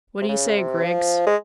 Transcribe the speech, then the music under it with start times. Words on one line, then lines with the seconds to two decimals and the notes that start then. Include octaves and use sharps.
What do you say, Griggs?
0.21 C3
0.28 C#3
0.56 C3
0.83 F3
1.26 G#3